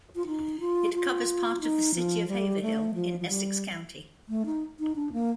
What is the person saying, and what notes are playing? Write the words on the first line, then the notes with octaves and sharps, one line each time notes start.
It covers part of the city of Haverhill in Essex County.
F4
D#4
F4
F4
D#4
F3
G3
A3
F3
F3
G3
A3
D#4
D#4
D4
A#3